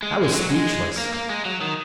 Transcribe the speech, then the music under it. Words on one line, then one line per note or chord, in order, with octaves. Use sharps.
I was speechless.
G#3
G#3
F#3
G#3
A#3
A#3
G#3
F#3
D#3